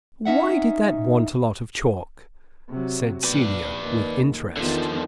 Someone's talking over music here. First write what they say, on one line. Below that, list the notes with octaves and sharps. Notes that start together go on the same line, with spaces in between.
"Why did that want a lot of chalk?" said Celia with interest.
C#4 D#4 E5 F#5
C3 F#3
A#1 B4 D5
D#2
E2 D3 D#3 F3